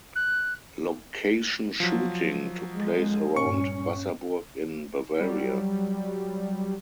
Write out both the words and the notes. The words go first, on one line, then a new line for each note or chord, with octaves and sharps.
Location shooting took place around Wasserburg in Bavaria.
F#6
F3 F#3
G#3
G2 A#2 C#4 C#6 C#7
F#3 G3